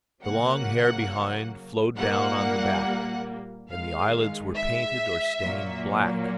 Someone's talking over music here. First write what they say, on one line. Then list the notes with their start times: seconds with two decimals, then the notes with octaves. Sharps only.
The long hair behind flowed down on the back: and the eyelids were painted or stained black.
0.22 C#3 F#3 A#3 F#5
1.96 A#2 G3 A#3 F#5
3.69 D#3 G#3 F5
4.55 E5
5.42 A#2 F#3 A#3